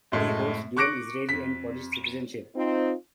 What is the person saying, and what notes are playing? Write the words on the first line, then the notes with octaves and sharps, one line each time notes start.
He holds dual Israeli and Polish citizenship.
F#2 A2 G#3 A3
C#6 D6 F#6 A#6 C#7 D7
F2 B6
C4 D#4 F4